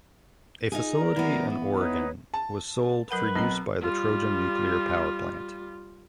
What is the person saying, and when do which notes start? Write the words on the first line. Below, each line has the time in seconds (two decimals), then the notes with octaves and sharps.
A facility in Oregon was sold for use by the Trojan Nuclear Power Plant.
0.72 D#4 F4 G#4
0.94 A#4 D5 A#5
1.16 E3 B3
1.75 D#4 B4 C#5
2.34 A5
3.11 F#3 A#4 B4 F#5
3.36 B1 C4 D#5 A#5
3.80 G3 F4